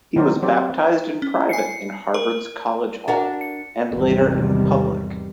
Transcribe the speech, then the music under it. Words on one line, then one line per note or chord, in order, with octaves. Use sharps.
He was baptized in private in Harvard's College Hall and later in public.
D#3 F#3 A#4 C5 D5
F#3 C4 G4 D5
C#4
G#5 C7 C#7
A#4
D4 F#4 A#4
C#7
G#1 E2 C3 D#3 G3